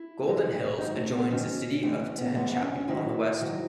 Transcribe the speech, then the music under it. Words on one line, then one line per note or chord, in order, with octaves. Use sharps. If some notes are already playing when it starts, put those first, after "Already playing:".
Golden Hills adjoins the city of Tehachapi on the west.
Already playing: E4
G#2 E3 G#3
G#2 D#3 F#3 D#4
A3
B3
G#2 D#3 F#3 C#4
A2 E3 G#3 C#4
C#4
B3
A2 E3 G#3 B3
B3
C#4
C#4
G#2 D#3 F#3 E4
G#2 D#3 F#3